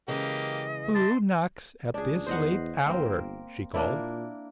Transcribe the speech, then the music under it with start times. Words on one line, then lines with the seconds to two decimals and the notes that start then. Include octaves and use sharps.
"Who knocks at this late hour?" she called.
0.08 C#3 E3 G#3 A#3 G4 D#5
0.95 A5 C6
1.94 C#2 D4 G#4
2.26 E2 C5 D#5 F#5
2.86 G1 A#3 C4
3.74 A#2 A#3 D4 E4